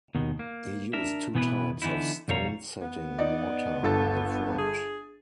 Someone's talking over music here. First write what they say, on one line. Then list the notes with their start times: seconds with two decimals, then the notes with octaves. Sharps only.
He used two types of stone-setting mortar on the front.
0.15 D#2 B2 D#3
0.39 A#3
0.93 D4 A#4 E5
1.35 B2 E3 B3 E4 B4
1.82 D3 E3 B3 D#4 E4
2.28 B1 F2 G3 C#5 F5 A#5
2.82 B3
3.18 D#4 D5
3.83 G1 A4 A6
4.59 G#4